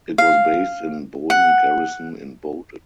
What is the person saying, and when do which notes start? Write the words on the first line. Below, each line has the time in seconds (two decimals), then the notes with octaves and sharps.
It was based in Boden Garrison in Boden.
0.18 F5
1.30 F#5